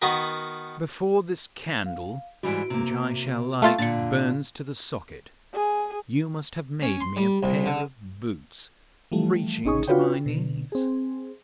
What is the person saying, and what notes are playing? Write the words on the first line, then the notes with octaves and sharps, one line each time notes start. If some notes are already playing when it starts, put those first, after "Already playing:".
Before this candle, which I shall light, burns to the socket, you must have made me a pair of boots reaching to my knees.
D#3 B3 F#4 A#4
F5
G#2 E3 G3 F#4 D7
C3 A#3
A3 F4 F5 A6
A#2 D3 A6 C#7
G#4
C#4
C6
G3
C2
D3
E3 F3 G3 A3
A1 C#4 D#4 G#4 C#6 D#6
D4 F4 F#4 B4 C#5 G5
B2 D3
C4 G#4